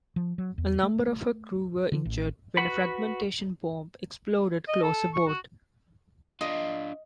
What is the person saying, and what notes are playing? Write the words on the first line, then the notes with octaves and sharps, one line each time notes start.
A number of her crew were injured when a fragmentation bomb exploded close aboard.
F3
F#3
E2
A3
D3
A1
F#4 B4 F#5 B5
D#5
A4
C#6
F#4
D4 F4 D#5